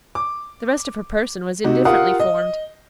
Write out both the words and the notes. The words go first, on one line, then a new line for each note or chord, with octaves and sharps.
The rest of her person was indifferently formed.
D6
C3 D#4 F#4 G4
F4 G4 A#4 F5 F#5 D#6
D#5